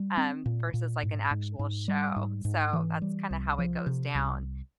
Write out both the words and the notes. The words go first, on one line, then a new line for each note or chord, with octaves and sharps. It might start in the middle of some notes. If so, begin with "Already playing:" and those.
Um, versus, like, an actual show, so that's kinda how it goes down.
Already playing: G3
C4
A#2
A#2
G#2
G#2
G#2
G3
G#2
G#2
E3
G3
C2
F3
C3
C2